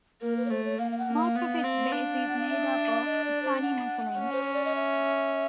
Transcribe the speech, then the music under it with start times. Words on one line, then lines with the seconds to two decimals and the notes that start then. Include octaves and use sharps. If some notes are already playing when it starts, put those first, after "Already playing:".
Most of its base is made up of Sunni Muslims.
0.22 A#3 A#4
0.37 B4
0.46 C#5
0.50 A3 C5
0.65 C#5
0.79 A#3 F5
0.92 F5
0.98 F#5
1.07 A#3
1.16 F5
1.36 B3
1.64 C4
1.92 D4
2.28 F#5
2.39 F5
2.49 E5
3.06 D#5
3.25 D5
3.43 C5
3.62 F#5
4.19 C#4
4.32 C5
4.43 C#5
4.54 D5
4.65 D#5
4.76 E5